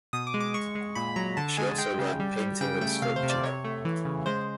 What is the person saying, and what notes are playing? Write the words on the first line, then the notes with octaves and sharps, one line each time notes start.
She also learned painting and sculpture.
B2 D#6
D6
G#3
D6
G#3 C#6
G#3
A#2 B5
F#3 A#5
D3 A5
G#3 G#5
G#3 G5
C#3
G3
G3
C#3 G5
A3 G5
C3 F5
C5
C3
D5
C3 C#5
A3
E3
C#3
G#3 C5